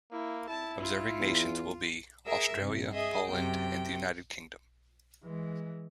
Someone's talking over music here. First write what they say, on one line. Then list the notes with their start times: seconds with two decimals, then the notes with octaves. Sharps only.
Observing nations will be: Australia, Poland, and the United Kingdom.
0.12 A#3 E4
0.49 E4 A5
0.80 F4
1.20 E2
2.27 G#4 A#4 E5 E6
2.58 G2 C3
2.93 G#4 D#5 E5
3.27 F#2 C3 G5
5.24 E3 G#3